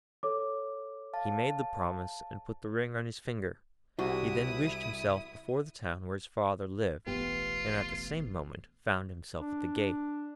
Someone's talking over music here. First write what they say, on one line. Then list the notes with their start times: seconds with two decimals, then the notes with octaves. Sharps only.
He made the promise, and put the ring on his finger; he then wished himself before the town where his father lived, and at the same moment found himself at the gate.
0.23 A4 C#5 D6
1.13 F5 A5
3.99 C2 C3 E4 F#4 D#6
7.06 E1 A1 B3 F4 G4
9.40 D4